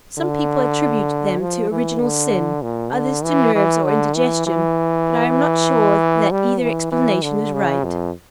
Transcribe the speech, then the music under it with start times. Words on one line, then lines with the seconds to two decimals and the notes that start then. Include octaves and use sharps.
Some people attribute them to original sin, others to nerves or indigestion; but I am not sure that either explanation is right.
0.18 D3
1.41 F3
1.71 E3
2.01 D3
2.63 A#2
2.93 D3
3.24 E3
3.55 E3
3.85 D3
4.16 E3
4.47 E3
6.31 G3
6.61 E3
6.92 E3
7.22 D3
7.53 C#3
7.84 F2